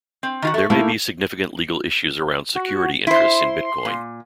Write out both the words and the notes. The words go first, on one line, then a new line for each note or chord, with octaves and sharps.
There may be significant legal issues around security interests in Bitcoin.
C4
D#3 F4 F#4
A3
A3 A#3 D#4 E4
F#4
E4 C5 C6
A#2